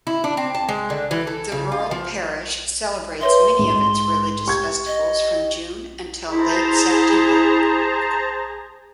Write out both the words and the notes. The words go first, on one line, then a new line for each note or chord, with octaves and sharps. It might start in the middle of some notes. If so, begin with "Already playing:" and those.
The rural parish celebrates many of its religious festivals from June until late September.
E4
D4
C4
A5
G#3
D3
E3
A4
C#3
F4
F3
B4 C#5 E5 C6
G#2
G4 C#6 G#6
D#5
E4 G#4 C5 A5 A#5